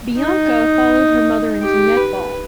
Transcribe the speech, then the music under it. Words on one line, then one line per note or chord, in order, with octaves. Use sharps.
Bianca followed her mother into netball.
D#4
G4
B4